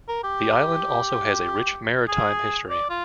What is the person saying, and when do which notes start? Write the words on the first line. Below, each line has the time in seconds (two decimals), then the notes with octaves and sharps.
The island also has a rich maritime history.
0.08 A#4
0.23 G4
2.08 G#4
2.70 D5
2.90 F4